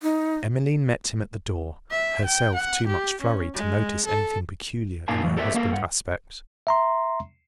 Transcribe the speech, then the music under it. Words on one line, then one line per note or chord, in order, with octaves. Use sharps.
Emmeline met him at the door, herself too much flurried to notice anything peculiar in her husband's aspect.
D#4
E5
G5
F#5
G4
C#4
G#3
A4
A#2 A#3 D#4 F5 G#5 A5
A2 E3 F#3
G4 A4 A#4 D5 E5
A#3 A4 A#4 F5
G2 F#5
E5 A#5 C6